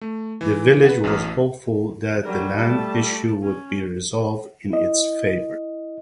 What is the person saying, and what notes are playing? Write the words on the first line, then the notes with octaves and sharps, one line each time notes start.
The village was hopeful that the land issue would be resolved in its favour.
A3
E3
B4 F#5
A1 E2 F#4 D#6 F6
F#3 G3 A#4
A3 A5
C#4
E4 D#5